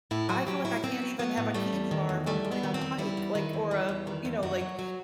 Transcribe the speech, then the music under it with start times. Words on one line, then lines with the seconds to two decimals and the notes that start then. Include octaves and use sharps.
I feel like I can't even have a candy bar if I'm going on a hike, like, or a gr you know, like,
0.11 A2 E4
0.29 F#3 F#4
0.47 F#3 G4
0.65 A2 E4
0.83 A2 C4
1.02 F#3
1.19 F#3 B3
1.37 A2
1.54 G3 A3
1.73 E2
1.91 D#3
2.09 E2
2.26 G3 A3
2.45 E2
2.52 B3
2.63 D#3
2.74 C4
2.81 E2
2.99 G3 E4
3.17 E2
3.35 D#3
3.53 E2
3.71 G3
3.89 E2
4.07 D#3
4.25 E2
4.43 F#2 F#4
4.61 F#3
4.79 F#3